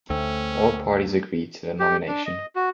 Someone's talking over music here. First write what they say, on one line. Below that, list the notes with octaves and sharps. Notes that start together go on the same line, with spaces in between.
All parties agreed to the nomination.
D2 A3 C#4 C5 G5 E6
G4
D4
D#5
F#4